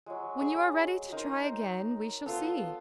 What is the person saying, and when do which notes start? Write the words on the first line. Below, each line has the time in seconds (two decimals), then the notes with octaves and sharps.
"When you are ready to try again, we shall see."
0.06 F#3 G#3
0.41 G#4
1.12 D#4 A#4 C5
2.26 B3 F4 A4 C5